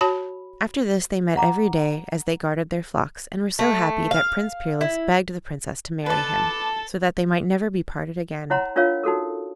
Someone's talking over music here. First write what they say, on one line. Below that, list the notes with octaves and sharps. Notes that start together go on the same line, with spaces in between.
After this they met every day as they guarded their flocks, and were so happy that Prince Peerless begged the Princess to marry him, so that they might never be parted again.
F#4 C#5 A5 B5
F#5 A#5 D6
A3
F5
E4
A4 B4 D5 A5
E4 C#5 F#5 A#5 C6
D4 F4 A#4 C#5 F5
D#4 F#4 A4 A#4